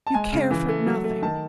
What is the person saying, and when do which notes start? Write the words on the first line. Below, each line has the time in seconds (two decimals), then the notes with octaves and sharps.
You care for nothing.
0.07 A5
0.14 G#3 G#5
0.32 C#3
0.51 E3
0.69 A3
0.86 F#3
1.04 A3
1.22 D#3 A5